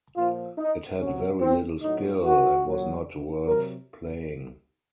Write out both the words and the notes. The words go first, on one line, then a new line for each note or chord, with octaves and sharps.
It had very little skill, and was not worth playing.
A#2 F3 F4
D#4
C3 F#3 C#4
C4
A2 F#3 D#4
F#4
A#2 F#3
C3 F#3 A#4